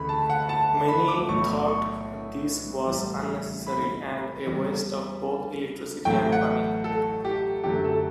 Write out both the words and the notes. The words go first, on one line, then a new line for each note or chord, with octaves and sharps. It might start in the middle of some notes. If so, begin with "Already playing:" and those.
Many thought this was unnecessary and a waste of both electricity and money.
Already playing: D2 C#3 E3 A3 B5
A5
F#5
A5
B5
D6
B1 A2 E3 C#6
C#6
A1 A2 G3
B5
E2 C#3 G3
A1 A2 F#3 A3 G5
F#5
A4
G4
F#2 D3 F#3 A3 G4
A4